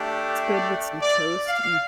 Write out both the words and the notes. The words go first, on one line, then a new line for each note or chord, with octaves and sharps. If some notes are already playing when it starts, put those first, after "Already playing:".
It's good with some toast. Mm.
Already playing: A3 D4 G4
D5
D5
F5